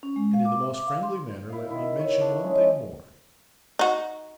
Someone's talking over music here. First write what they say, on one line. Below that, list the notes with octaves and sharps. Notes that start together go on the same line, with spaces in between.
And in the most friendly manner, let me mention one thing more.
C#4
G#3
F5
D6
E5
D6
F5
C6
E4 F5
D#3 E4 F4
C#5
D4
G#3 C#4 C#5
D#4 F#4